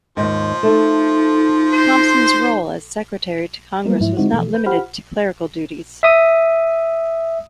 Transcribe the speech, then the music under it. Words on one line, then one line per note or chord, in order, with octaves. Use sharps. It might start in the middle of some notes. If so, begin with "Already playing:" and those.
Thomson's role as secretary to Congress was not limited to clerical duties.
D#2 G#2 F3
A3 D#4
C5
F#3 G3 A#3 B3 F4 A#4
G#2 F3 E4
D3 G#3 C4 D#4 E4 F#4
B2 E3 F3 A3
B4 G6
F4 G4 C5 F#5 B5 F6
E5 D#6